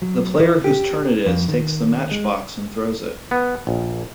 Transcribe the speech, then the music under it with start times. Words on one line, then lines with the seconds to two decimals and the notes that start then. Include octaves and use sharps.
The player whose turn it is takes the matchbox and throws it.
0.02 F#3
0.39 E3
0.64 G4
1.26 F2
1.48 D#3
2.11 G#3
3.31 B3
3.67 A#1